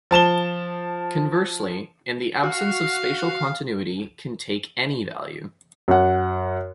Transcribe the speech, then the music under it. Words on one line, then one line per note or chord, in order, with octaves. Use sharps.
Conversely, in the absence of spatial continuity can take any value.
F3 A5 E7 G7
F#4 F5
F#2 F#5